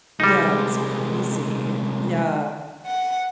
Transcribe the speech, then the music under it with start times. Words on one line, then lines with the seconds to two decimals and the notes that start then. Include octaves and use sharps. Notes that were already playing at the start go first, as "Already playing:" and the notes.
Yeah, it's crazy. Yeah,
0.20 C2 G3 G#3 D#4
2.87 F#5